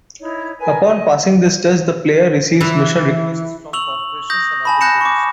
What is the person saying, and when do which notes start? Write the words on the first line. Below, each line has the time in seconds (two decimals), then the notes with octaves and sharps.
Upon passing this test, the player receives mission requests from corporations and other groups.
0.19 D#4 E4 C#5
0.57 A#4 B4 G#5
0.79 D#5
2.61 E3
3.73 C#6 E6 F7 F#7
4.30 D#6 G6 A#6
4.65 G#5 A5 B5
4.81 F#6 G6 A#6 C#7 E7
5.01 C#6 D6